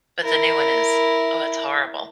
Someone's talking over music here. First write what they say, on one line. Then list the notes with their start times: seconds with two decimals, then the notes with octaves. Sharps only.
But the new one is Oh, it's horrible.
0.23 E4 A#4